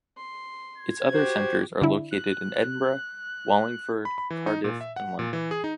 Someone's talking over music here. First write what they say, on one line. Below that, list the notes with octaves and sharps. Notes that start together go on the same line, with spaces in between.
Its other centres are located in Edinburgh, Wallingford, Cardiff and London.
C6
G#6
F#4 G4 C5
D3 E4
F#6
B5
B5
E3
D#4
A#2
E5
F#5
A#2
E3
G#4
D#4